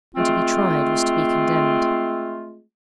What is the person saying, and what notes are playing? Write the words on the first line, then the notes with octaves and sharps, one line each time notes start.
And to be tried was to be condemned.
G#3 A3 C4 F4